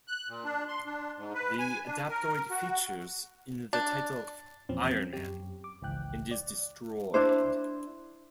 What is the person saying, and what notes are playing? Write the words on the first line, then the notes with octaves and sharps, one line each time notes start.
The Adaptoid features in the title "Iron Man" and is destroyed.
F#6
A#2
D4
C6
D4
G#2
B4
G#5
D4
A#4
F#4
D4
E2 A#2 F3 C4 C#4
F#2 G4
D6
G#1 C#2 E3 G5 F#6
D5
D4 E4 C5